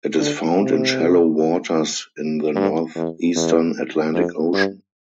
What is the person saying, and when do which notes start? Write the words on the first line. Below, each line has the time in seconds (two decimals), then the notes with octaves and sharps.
It is found in shallow waters in the northeastern Atlantic Ocean.
0.20 D3
0.60 C3
2.56 G2
2.95 E2
3.35 E2
4.14 F2
4.53 G2